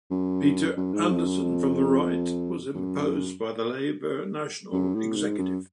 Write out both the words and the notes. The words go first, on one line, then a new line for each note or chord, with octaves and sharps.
Peter Anderson from the right was imposed by the Labor national executive.
F#2
F#2
G#2
F2
F#2
F2
F#2
F#2
A2
G#2
F#2